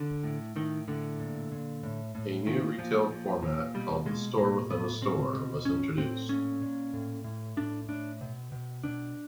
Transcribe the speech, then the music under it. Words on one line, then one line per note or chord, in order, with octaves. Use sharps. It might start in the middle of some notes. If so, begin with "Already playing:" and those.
A new retail format called the "store within a store" was introduced.
Already playing: D3
A2
A2 D#3
A2 D3
A#2
A#2
A2
A2
A#2 D#3
A#2 F3
A#2
A#2
B2 G3
B2 G#3
A2 A#3
A2 B3
B2 C4
B2
A2 C#4
A2 C4
A#2 C#4
A#2
A2
A2
A2 D4
A2 D4
B2
B2
B2 D4